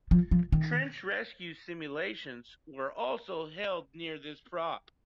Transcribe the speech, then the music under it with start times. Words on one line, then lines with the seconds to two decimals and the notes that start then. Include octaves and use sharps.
Trench rescue simulations were also held near this prop.
0.11 F3
0.31 F3
0.52 D#3